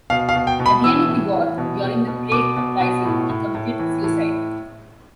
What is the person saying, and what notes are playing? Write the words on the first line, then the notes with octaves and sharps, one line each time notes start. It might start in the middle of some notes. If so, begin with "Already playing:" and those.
At the end of the war, during the Prague uprising, he committed suicide.
B2 F5
F5
B2
G5
B2
B5
E3 E6
A2
E3
B2
B2
B2
B2 D6
B2
B2
A2
A2
A2
E3
A2